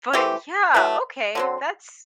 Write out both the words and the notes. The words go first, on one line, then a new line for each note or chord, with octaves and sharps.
But, yeah, okay, that's
E3 A3 C4 G4
F#3 A3 E4 B4
D3 F#3 C4